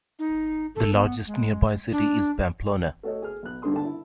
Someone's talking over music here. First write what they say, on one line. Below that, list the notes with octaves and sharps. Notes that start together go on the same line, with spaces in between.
The largest nearby city is Pamplona.
D#4
A4
B3
G#3
D4
A3 F#4 A4 C#5 D#5
G#4 F6
B1 F#6
G2 D3 D4 A4 C6 D#6
D3 A5
E4